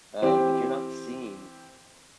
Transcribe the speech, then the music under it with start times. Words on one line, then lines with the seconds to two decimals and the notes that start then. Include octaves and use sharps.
Um, if you're not seeing
0.22 E3 C4 G4